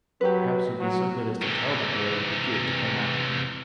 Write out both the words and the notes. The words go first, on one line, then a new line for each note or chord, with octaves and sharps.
Perhaps you'll be so good as to tell the boy with the gig to come after me?
F#3 G4 B4
F#3
C3 E3